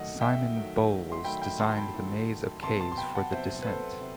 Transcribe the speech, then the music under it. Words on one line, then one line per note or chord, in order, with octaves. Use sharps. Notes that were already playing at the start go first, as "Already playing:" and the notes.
Simon Bowles designed the maze of caves for "The Descent".
Already playing: D#3 F#3 A3 D#5 F#5
E5 G5
D#3 F#3 A3
C6
D#3 F#3 A3 G5 B5
G5 B5
A5 C6
G5 B5
D#3 F#3 A3
C3 F#3 B3 A5 C6
A5 C6
C6
G5 B5
F#5 A5
C3 F#3 B3 C5 E5
B4
A4 C5
C3